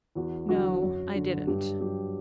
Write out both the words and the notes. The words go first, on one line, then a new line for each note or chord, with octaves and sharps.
"No, I didn't."
E2 F#4
D3 F#3 F#4
F#2
D3 F#3
G2 G4
F#3 G4